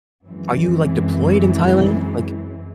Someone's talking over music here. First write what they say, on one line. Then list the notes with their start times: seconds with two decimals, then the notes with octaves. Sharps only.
Are you, like, deployed in Thailand? Like
0.25 F#2 E3 G#3 C4